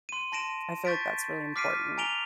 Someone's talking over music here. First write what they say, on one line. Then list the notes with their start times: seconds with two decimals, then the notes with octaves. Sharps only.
I feel, like, that's really important.
0.09 C6 D#7
0.32 A5 C6 A#6 D7 E7
0.85 C#6 G6 A6 B6 D7
1.56 D6 F6 B6 C7 D7 D#7
1.98 G#5 A#5 D7 F7 G7